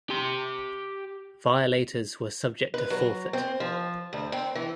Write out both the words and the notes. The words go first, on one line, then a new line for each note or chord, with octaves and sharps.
Violators were subject to forfeit.
G4 C6
B4
F#3
C4
F3
D2
C4
E3